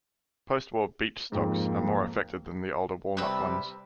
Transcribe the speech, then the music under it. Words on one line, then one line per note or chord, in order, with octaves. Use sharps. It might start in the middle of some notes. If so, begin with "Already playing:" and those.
Postwar beech stocks are more affected than the older walnut ones.
F2 G#2 A#3
C3 G3 B4 E6